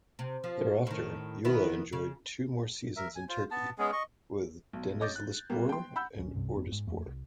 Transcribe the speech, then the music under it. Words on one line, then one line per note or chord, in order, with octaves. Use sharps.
Thereafter, Youla enjoyed two more seasons in Turkey, with Denizlispor and Orduspor.
C3
F3
A2 D#3
D#3 B3 E4
C#3
A#4 E5
G#5
F4 C5
B3 A5
G#3 B3 C#4 G#4
D#5 C#6
B1
C#5 D#5 D6 G6 A6
F#6
B2 G3 A#3 B3
G5 C6
F#5 B5 E6 G6
D1 C#4
F#1 C2 G2 C3
G1 F2 B3
G#2
D#1 F2 A3 A#3
C2